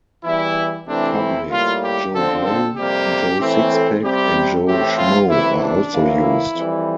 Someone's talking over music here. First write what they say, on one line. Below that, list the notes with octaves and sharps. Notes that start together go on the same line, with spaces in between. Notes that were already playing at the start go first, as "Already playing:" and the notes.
Public, Joe Blow, Joe Sixpack and Joe Schmoe are also used.
E2 E3 G3 E4
C3 E3 A3 C4 D4
E4
A2 G3 A#3 F4
G4
F2 D3 F3 C4 A4
A4
F2 C3 G3 A#3 G4
A2 E3 A3 C4
A4
C3 G3 C4 G4
A2 E3 A3 C4 G4
F4
F2 C3 E3 E4
D4
A2 E3 A#3
E4
F2 E3 G3